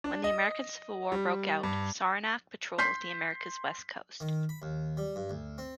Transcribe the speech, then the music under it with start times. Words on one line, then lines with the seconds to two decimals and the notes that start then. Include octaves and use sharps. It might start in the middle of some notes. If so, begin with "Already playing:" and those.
When the American Civil War broke out, "Saranac" patrolled America's West Coast.
0.04 D4
0.24 D#5
1.12 G3
1.63 G2
2.78 C6 G6 B6 C7
4.20 D#3
4.49 B5
4.62 D#2
4.97 G3
5.16 G2
5.30 D2
5.58 C4